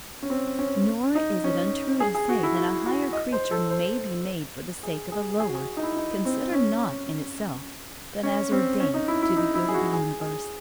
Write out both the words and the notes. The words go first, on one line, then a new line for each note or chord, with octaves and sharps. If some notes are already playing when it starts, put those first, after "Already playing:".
Nor is it untrue to say that a higher creature may be made for the sake of a lower, considered not in itself, but as ordained to the good of the universe.
C#4
C4
C#4
D#4
C#4
G#4
G#4
F#4
E4
F#4
F#4
D#5
C5
A4
C5
G#4
G#4
G#4
F#4
G#4
D#4
E4
D#4
C4
C#4
C#4
C4
C#4
D#4
E4
E4
D#4
E4
G#4
F#4
G#4
G#4